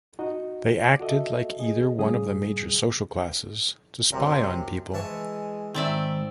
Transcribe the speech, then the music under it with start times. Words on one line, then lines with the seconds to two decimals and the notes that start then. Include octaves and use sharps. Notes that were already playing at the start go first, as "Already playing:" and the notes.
They acted like either one of the major social classes to spy on people.
0.19 D#4 F#4 D#5
0.82 D5 D6
1.00 F#4 A4 D#5 E5
1.60 G#4 D#5
1.98 A2 C#3 G3 G#4 D#6
4.12 F#2 C3
4.94 E3 G#3 A5 C#6
5.74 G#2 D#3 C4 D5 E5